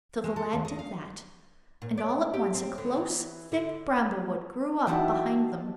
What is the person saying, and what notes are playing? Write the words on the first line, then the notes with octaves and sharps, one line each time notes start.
So the lad did that, and all at once a close, thick bramblewood grew up behind them.
G#3
A4
D#2
D#5
F5
A#2
D5
G4
C4
D3
E3
D3
E3 D#4 F#4 G4 E5 F#5 A5